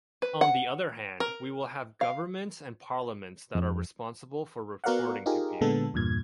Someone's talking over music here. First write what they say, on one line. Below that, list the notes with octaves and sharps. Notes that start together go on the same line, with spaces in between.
On the other hand, we will have governments and parliaments that are responsible for reporting to people.
B4
F#5
A#4
F5
F2
B3 F#4 A#4 D5 F5 F#5
D#4 F4 G4 G#4 A#4
A#2 D3 G#3 B3 A4
E2 G2 A#2 G#6